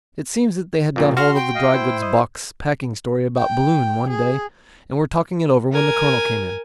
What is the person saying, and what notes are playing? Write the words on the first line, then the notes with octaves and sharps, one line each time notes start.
It seems that they had got hold of the dry-goods box packing story about Balloon, one day, and were talking it over when the Colonel came in.
F2 A#2 C#3
F#4 C6 F6
G5
D#5 F5
E4 C5
D#5
G5
G#4
A#4 G#5